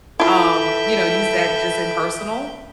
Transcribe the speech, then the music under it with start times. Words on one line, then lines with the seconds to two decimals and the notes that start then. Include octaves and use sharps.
um, you know, use that just in personal?
0.20 E3 E4 F4 A4 B4 E5 G5